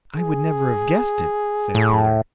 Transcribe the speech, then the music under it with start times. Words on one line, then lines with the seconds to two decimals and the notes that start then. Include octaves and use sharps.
"I would never have guessed it," said Peter.
0.17 G#4
1.75 A2